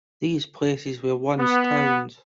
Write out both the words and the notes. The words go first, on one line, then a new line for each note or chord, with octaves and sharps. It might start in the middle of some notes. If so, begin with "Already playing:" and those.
These places were once towns.
B3